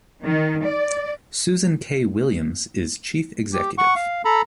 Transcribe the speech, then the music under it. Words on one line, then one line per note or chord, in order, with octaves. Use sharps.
Susan Kay-Williams is Chief Executive.
D#3
D5
G4
F#5 C#6
F5
A4 A#5 B5